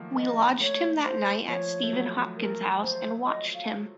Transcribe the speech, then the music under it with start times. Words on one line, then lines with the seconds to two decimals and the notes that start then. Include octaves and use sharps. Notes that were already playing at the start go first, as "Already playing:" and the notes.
We lodged him that night at Stephen Hopkins' house, and watched him.
Already playing: D#3 F3 F#3 A3 A#3
0.16 D#5
0.60 A3 C#5
1.04 C5
1.48 F3 C#5
1.83 A3
1.93 F#3
2.37 A#4
2.81 C5
3.25 D#5
3.54 F5